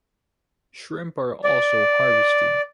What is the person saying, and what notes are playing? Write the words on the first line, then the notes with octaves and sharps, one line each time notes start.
Shrimp are also harvested.
D5